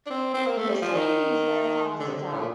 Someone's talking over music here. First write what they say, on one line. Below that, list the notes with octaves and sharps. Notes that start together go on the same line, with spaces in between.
Mercedes then passes out.
D4
C4
C4
A#3
A3
G3
F3
D#3
D3
C3
D3
A2
A#2